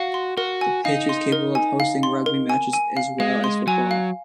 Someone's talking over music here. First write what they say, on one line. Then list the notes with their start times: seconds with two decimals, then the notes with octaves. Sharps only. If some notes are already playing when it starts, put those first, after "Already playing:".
The pitch is capable of hosting rugby matches as well as football.
Already playing: F#4 F5
0.14 C6
0.37 F#4 A#4
0.61 G#5
0.85 D#4 F5
1.09 C6
1.32 A#4
1.55 G#5
1.80 F5
2.03 C6
2.26 A#4
2.50 G#5
2.73 G#5
2.97 F5
3.20 G#3 F5
3.44 C6
3.67 F#3 G#5
3.91 F5